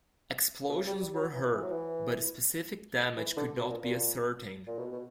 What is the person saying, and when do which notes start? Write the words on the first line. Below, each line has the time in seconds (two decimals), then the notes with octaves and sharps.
Explosions were heard, but specific damage could not be ascertained.
0.69 B2
0.74 C#3
0.87 G3
1.01 G3
1.15 F#3
1.34 E3
1.54 E3
1.63 F#3
1.71 E3
3.17 E3
3.36 D3
3.57 B2
3.70 A#2
3.84 A#2
4.67 A#2
4.78 B2
4.92 B2